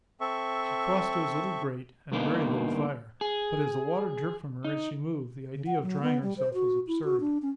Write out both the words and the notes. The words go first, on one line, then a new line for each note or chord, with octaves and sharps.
She crossed to his little grate and very little fire, but as the water dripped from her as she moved, the idea of drying herself was absurd.
C4 A4 E5 C#6
G2 D3 A#3 B3 D#4
G#4
D#4
C#3
F#5
F#3
B3
G3
C5
F#4
E4
F#4
D4
C#4